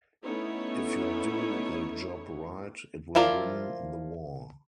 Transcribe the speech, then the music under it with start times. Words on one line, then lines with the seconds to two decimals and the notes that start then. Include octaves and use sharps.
If you do the job right, it will win the war.
0.23 A3 B3 C#4 D#4 E4 C#5
3.15 F3 E4 F4 A#4 D5